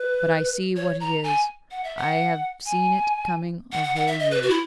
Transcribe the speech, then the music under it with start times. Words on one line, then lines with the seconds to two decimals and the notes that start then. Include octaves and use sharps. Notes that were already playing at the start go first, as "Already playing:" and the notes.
But I see what it is--I have seen it coming a whole year.
Already playing: B4
0.76 C#5
1.00 A#5
1.24 G#5
1.71 F#5
1.84 E5
1.97 F#5
2.66 G#5
3.72 F#5
3.84 F#5
3.96 F#5
4.07 E5
4.20 D#5
4.31 B4
4.43 F#4
4.50 E4